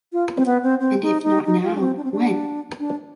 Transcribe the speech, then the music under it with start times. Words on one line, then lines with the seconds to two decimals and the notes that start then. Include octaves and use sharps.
And if not now, when?
0.13 F4
0.37 C4
0.46 B3
0.63 C4
0.80 C4
1.02 D#4
1.23 D#4
1.46 D#4
1.63 F4
1.75 D4
1.80 C4
1.97 D4
2.04 C4
2.12 D4
2.80 D4